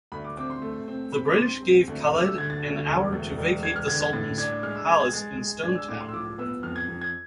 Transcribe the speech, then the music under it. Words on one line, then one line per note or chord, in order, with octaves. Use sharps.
The British gave Khalid an hour to vacate the Sultan's palace in Stone Town.
D2 B5
D6
C4 D6
C6
A3
C4
C4 B5
D6
C4 C6
C4
D2
D2 D6
E6
D3 G#6
A6
D2
E1
D2
E1
E1 G#6
F6
D3 G#6
G#6
A2 A6
D4 G#6
G#3 F6
E6
G#3 G#6
G#6
G#3 A6
G#3
D4 G#6
E6
A2 D6
C6
E6
F3 D6
B3 E6
F2 F6
G#6
F2
G#6